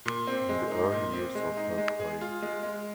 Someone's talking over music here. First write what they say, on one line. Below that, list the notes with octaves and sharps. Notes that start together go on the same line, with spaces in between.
In the early years of her career.
A#2
C4
G#3
D#4
A#2
C4
G#3
D#4
G#3
G#4
F4
G#3
G#3